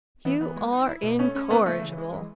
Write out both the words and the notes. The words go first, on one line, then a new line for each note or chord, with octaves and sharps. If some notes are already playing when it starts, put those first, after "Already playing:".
"You are incorrigible!"
E3 B3
E3 B3
G#3
D#4
E4
B2
A3 C#4
C#4
C#3 B3
C#3 A3
E3
G#3
E3